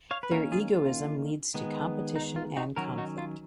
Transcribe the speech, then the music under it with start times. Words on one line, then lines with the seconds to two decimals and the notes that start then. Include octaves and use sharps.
Their egoism leads to competition and conflict.
0.11 C#5 F5
0.23 B4
0.31 D#3 A#3 C#4 F#4 A#4
0.52 F4 G#4
0.72 F4
1.54 D#3 G#3 B3
2.16 D#4
2.36 F4
2.57 D#4 F#4
2.76 D#3 F#3 C#4 F#4 A#4
2.98 D#4 F#4
3.18 F4